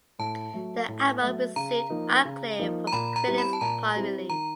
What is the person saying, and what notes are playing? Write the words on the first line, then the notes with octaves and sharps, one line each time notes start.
The album received acclaim from critics upon release.
A2 A5
F#3 A3
A2
F#3 A3
C#3 A#5
F3 A#3 D#4
C#3
F3 A#3 D#4
A#5
A#2 B5
A#5
G3 C4 E4
B5
A5
A#2 A#5
G3 C4 E4
D#3 A#5